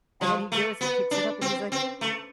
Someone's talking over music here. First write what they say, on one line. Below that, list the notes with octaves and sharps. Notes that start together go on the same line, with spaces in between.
and then he goes and picks it up and he's, like,
F3
A3
B3
D4
C4
C4
A3